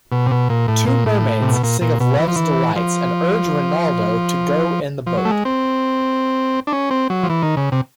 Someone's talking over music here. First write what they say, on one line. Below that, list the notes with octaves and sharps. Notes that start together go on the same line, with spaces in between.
Two mermaids sing of love's delights, and urge Rinaldo to go in the boat.
B2
C3
B2
A#2
A2
A#2
A2
C3
B2
A#2
A#2
B2
E3
F3
E3
F3
F3
F#3
A3
G#3
C4
D4
C#4
C4
F#3
F3
E3
D#3
C#3
C3